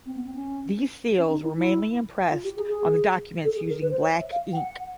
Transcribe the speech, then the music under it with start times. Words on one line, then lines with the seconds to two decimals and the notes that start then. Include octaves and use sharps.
These seals were mainly impressed on documents using black ink.
0.06 C4
0.15 B3
0.25 C4
0.34 C#4
1.18 C#4
1.31 D#4
1.43 E4
1.56 E4
2.31 F4
2.44 G4
2.57 G#4
2.69 G#4
3.44 A4
3.56 G#4
3.69 A#4
3.81 B4
3.91 C5
4.00 C#5
4.19 E5
4.31 F5
4.53 G5
4.56 F#5